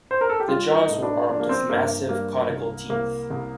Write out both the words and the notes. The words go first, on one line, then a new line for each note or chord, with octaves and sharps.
The jaws were armed with massive conical teeth.
C5
A#4
A4
G4
G3 F4
D#4
A2
D4
F3 D4
A#3
C4
G2 A#3
G3 A#3
C2
C2 A#3
C2